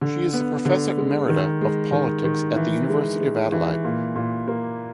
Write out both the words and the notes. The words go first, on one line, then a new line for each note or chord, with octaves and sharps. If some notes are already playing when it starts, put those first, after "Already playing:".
She is the Professor Emerita of Politics at the University of Adelaide.
D3
B3
D3
G#3
D#3
G#3
D#3
D#3
E3
G#3
G#3
E3
A#2
A#2
A#3